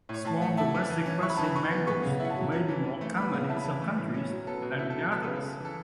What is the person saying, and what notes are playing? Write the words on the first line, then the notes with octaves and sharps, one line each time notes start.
Small domestic pressing mangles may be more common in some countries than in others.
A2
C#5
A2 A5
A3 F#5
E4 A5
E3
E3
C#4
E4 C#6
B5
E3 A5
B5
E3 C#6
B3
B3 C#6
C#3
E4 F#5
A5
F#3
C#4
E3
E3
A3
B3 B5
C#3
E4 A5
B5
E3 A5
A3 B4
A2
C#4
F#3
B3 A4
B2
E4
A4
F#3
B3 A4
C#3 B4
A4
C#3
E3 A4